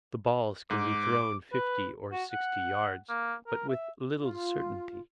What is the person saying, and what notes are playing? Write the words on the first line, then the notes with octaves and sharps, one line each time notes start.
The balls can be thrown fifty or sixty yards, but with little certainty.
G#2 D6
B4
F#4
F#5
A#3
A#4
E5
F4